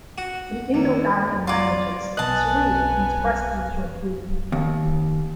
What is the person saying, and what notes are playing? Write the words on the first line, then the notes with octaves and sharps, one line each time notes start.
In Indo-Aryan languages, Sri means prestige or beauty.
F#4
D#2
F4 D5
B1 B3 D#5 G#5 A5 F#6
D#2